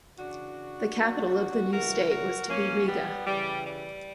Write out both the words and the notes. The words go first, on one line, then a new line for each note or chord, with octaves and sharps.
The capital of the new state was to be Riga.
C#3 E3 D4 F#4
B2 F#3
C#3 E3 F#4 A#4
F#4 A#4
B2 F#3 A#3 C#4
G3 B3
C#3 E3 G3
G3